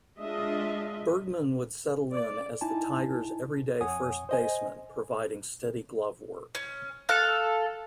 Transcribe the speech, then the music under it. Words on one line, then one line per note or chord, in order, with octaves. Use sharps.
Bergman would settle in as the Tigers' everyday first baseman providing steady glove-work.
G#3 D4 F4 D#5 E5
D5
D#4 E4 G#5 A5
F2 C#5 F#5 G#5 D#6
C5 D#5 G#5
C#4
A4 F5 F#6